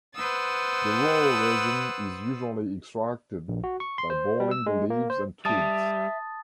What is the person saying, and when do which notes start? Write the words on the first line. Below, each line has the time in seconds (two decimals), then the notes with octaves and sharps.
The raw resin is usually extracted by boiling the leaves and twigs.
0.15 B4 C5 F#5 D#6 E6 A6
3.48 A#1
3.64 F#4
3.80 C#6
3.98 C6
4.10 C5
4.40 G3
4.51 E6
4.66 G#3
4.90 A#3
5.10 C5
5.45 G3 E5 A5 D#6 A6